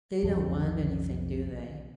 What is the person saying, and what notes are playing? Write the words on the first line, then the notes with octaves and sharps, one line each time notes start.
"They don't want anything, do they?"
B1 F2 F3